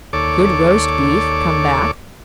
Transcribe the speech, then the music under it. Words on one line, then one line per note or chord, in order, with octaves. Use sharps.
Could roast beef come back?
D#2 A4 C#5 D5 D6